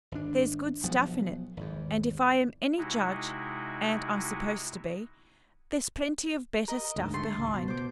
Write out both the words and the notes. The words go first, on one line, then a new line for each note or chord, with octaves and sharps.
There's good stuff in it, and if I am any judge, and I'm supposed to be, there's plenty of better stuff behind.
G#1 D4
B1 F3 B3
G#1 E2
C3 G#3 D#4 E4 F#4
A#4 D#5
D2 G#2
A3 A5 C6
G#1 C#2
B2
C5 D6